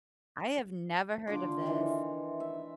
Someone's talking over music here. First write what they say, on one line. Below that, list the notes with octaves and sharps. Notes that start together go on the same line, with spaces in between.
I have never heard of this.
D3 F4 C6 D6
D#3 E3
E5